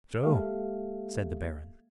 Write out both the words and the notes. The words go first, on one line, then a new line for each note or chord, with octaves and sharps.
"So?" said the Baron.
G#3 A#3 G4 A4 E5 F5